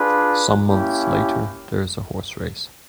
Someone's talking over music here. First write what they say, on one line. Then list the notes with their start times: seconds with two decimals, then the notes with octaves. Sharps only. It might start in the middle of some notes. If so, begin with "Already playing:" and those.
Some months later, there is a horse race.
Already playing: D4 F4 G#4 B4
0.68 A#3 C#4 E4 G4